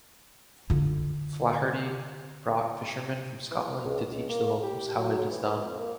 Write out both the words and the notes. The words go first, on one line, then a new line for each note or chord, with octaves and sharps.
Flaherty brought fisherman from Scotland to teach the locals how it is done.
D3 F4
E3
C#2
C#2
A#3
G4
F#3
E3
B4
F2
A#3